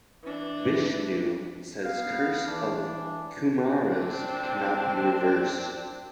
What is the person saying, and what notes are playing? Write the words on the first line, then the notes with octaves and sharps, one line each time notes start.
Vishnu says curse of Kumaras cannot be reversed.
E3 D4
B3 F5
E3 D4
C4 D4